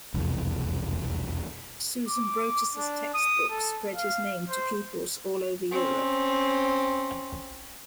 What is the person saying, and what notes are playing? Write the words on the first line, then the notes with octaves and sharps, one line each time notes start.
Susenbrotus' textbooks spread his name to pupils all over Europe.
E1 C2 F2
D6
D4
D#6
A4
F5
C5
C4 C#4